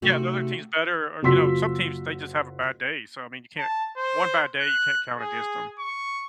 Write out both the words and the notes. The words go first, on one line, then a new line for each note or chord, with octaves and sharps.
Yeah, the other team's better, or, you know, some teams, they just have a bad day. So, I mean, you can't one bad day, you can't count against 'em.
C3 A3 D#4 F#4
F#1 F4 F#4 C6 E6 B6
A5
C5
F#6
G#4
C#6